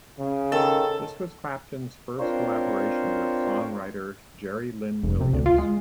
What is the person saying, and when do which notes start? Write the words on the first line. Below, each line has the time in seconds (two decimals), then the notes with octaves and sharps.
This was Clapton's first collaboration with songwriter Jerry Lynn Williams.
0.19 C#3
0.52 D#3 A4
2.19 C4 D4 F4 A#4 C5 C#5
5.03 F1
5.21 C3
5.33 D2
5.46 F4
5.58 G#3